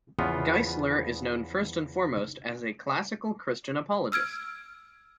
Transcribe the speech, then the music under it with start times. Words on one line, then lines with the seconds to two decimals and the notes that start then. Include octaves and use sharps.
Geisler is known first and foremost as a classical Christian apologist.
0.19 E2 C#3 F3 B3 F4 D#5
4.12 E6 F6 G#6 D7